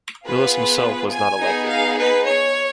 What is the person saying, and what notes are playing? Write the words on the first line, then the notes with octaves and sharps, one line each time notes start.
Willis himself was not elected.
B3 F4 G#4 B4
G#5
B3 D#4 G#4
F5
B4
C#5